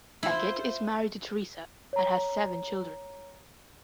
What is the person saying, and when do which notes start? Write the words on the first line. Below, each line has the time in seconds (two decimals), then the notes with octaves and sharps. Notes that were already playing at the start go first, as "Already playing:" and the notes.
Peckett is married to Teresa and has seven children.
0.23 E4 F4 C5
1.93 C#5 A#5